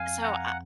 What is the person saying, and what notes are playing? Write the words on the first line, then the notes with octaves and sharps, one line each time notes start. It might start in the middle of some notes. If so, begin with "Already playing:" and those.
So, I
Already playing: F2 F5 G#5
F2 F#5 A#5
F#5